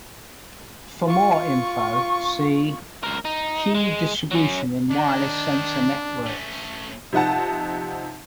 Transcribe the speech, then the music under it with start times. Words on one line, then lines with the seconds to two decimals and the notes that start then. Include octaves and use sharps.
For more info see: key distribution in wireless sensor networks.
1.06 F4 C#6
3.04 C#2 A#4
3.25 D#4
3.75 G#3
4.31 F#3 C#4
4.91 D#3 D4
6.26 A3 C#4
7.13 C3 F3 D#4 F#5 A5